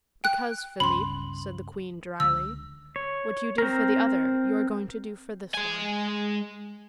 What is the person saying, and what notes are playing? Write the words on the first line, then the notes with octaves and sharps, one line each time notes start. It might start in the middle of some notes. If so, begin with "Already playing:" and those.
"Because, Philip," said the queen dryly, "what you did for the other, you are going to do for this one."
G5 F#6
G1 C#2 C#4 B5 C6
C#2 D3 E6
C#5
C4 A#4
G#3 G#5